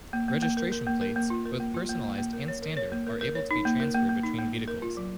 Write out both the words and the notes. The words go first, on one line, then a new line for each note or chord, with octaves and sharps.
Registration plates, both personalised and standard, are able to be transferred between vehicles.
A#3
A#3
A#3
A#4
A#4
A#3
A#4
A#3
F4
A#4
A#3
F4
A#3
A#3
A#3
A#4
C#5
A#4
C#5
A#3
A#4
A#4
C#5
D#4
A#3
A#4
A#3
A#3
D#4
A#3
A#3
A#4
F4
F#3